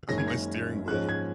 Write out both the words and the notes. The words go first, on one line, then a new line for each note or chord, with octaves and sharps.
on my steering wheel,
F#1 F#2 D#3 G#3 C#4 A#6
G#6
A#6
G#2 F3 G#3 C#4 F#6
G#6